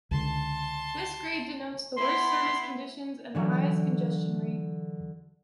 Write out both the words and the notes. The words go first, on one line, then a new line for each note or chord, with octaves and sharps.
This grade denotes the worst service conditions and the highest congestion rate.
C#2 D3 A5 C6
B3 E4 C6
D3 E3 F#3